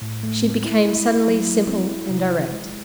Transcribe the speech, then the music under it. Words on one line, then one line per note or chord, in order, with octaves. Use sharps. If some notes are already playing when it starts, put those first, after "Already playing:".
She became suddenly simple and direct.
A2
A3
C4
E4
E4
E4
F#3
F#3
C4
E4
C3
E4
G#3